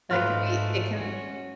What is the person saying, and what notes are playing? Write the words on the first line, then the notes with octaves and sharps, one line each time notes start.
That can it can
G#2 A3 F4 B4 D#5
C#4 F#4